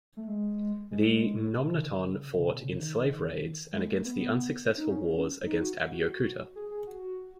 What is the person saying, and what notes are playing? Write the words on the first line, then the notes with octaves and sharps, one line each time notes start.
The N'Nonmiton fought in slave raids, and in the unsuccessful wars against Abeokuta.
A3
G#3
G#3
B2
C#3
E3
D#3
C#3
C#3
B2
C#3
D#3
G#3
A3
B3
C#4
D#4
C#4
D#4
F#4
F#4
G#4
G#4
F#4